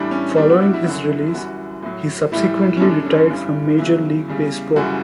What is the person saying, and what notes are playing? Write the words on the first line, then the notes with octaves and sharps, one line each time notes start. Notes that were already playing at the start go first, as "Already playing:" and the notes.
Following his release, he subsequently retired from major league baseball.
Already playing: A2 E3 G3 D4
C#4
B2 G3 D4
F#4
E4
E4
F#2 D3 F#3 F#4
E4
E4
F#2 E3 G3 F#4
A2 F#3
A2 E3 G3 E4
C#4
F#2 D3 G3 D4
C#4
G2 E3 G3
E2 C#3 F#3 E4
E2 C#3 G3
F#2 C#3 E3 G3 F#4